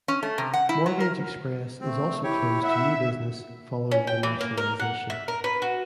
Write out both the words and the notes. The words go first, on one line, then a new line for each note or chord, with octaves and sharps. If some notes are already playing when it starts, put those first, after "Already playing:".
Mortgage Express is also closed to new business, following the nationalisation.
C#4
A3
C3
F#5
E4
F#3
A#4
A3 C4
E4 G4 C#5
E5 F#5
C#4
G5
E3
A#3
A#4
F#5
E5
A#4
B4
F#4